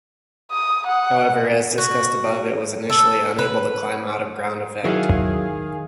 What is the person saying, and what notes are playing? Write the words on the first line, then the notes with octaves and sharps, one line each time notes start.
However, as discussed above, it was initially unable to climb out of ground effect.
D#6
F#5
F#4
A4
B4
D#3 F#3 E4 G#4 F5